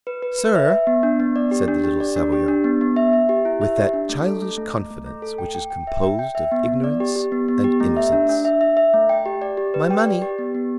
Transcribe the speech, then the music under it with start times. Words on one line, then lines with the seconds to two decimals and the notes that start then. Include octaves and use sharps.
"Sir," said the little Savoyard, with that childish confidence which is composed of ignorance and innocence, "my money."
0.07 B4
0.23 B4
0.38 B4
0.55 E5
0.70 E5
0.87 B3
1.03 D4
1.20 B3
1.36 D5
1.51 G4
1.68 D4
1.84 G4
2.00 D5
2.16 D4
2.32 G4
2.48 D4
2.64 B3
2.81 B3
2.96 E5
3.13 E5
3.29 G4
3.45 E4
3.61 E5
3.77 G4
3.93 D4
4.09 A3
4.26 A4
4.42 A3
4.58 A3
4.74 A3
4.90 A3
5.06 A3
5.22 A4
5.38 G5
5.55 G5
5.70 G5
5.87 E5
6.03 G5
6.19 G5
6.35 E5
6.51 B3
6.67 B3
6.84 D5
7.00 G4
7.16 G4
7.32 B3
7.48 B3
7.64 G4
7.80 A3
7.97 E5
8.12 D4
8.29 D4
8.45 E5
8.61 E5
8.77 E5
8.94 A3
9.09 G5
9.26 G4
9.42 D5
9.57 G4
9.74 B4
9.90 G5
10.06 D5
10.22 G4
10.38 B3
10.55 B3